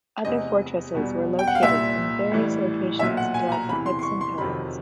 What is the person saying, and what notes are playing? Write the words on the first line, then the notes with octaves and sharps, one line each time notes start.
Other fortresses were located in various locations throughout the Hudson Highlands.
F1 E2 C3 D#5
E2 B2 G3
G5
F#5
F5
C2 A#2 G3 E5
A1 A2 E3 G3
B1 A#2 F#3 E5
F#5
G#5
A#5
E2 C3 E3 B5
C6
C6
C#6
C6
F2 C3 D#3 F#3 B5